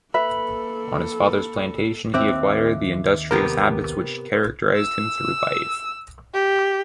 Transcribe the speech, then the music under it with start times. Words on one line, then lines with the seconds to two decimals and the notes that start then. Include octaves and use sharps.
On his father's plantation he acquired the industrious habits which characterized him through life.
0.14 A#3 A4 B4 E5 B5
2.14 D#2 C4 E5 D6 F#6
3.31 C3 B3 G4 A#4
4.77 E6
6.34 G4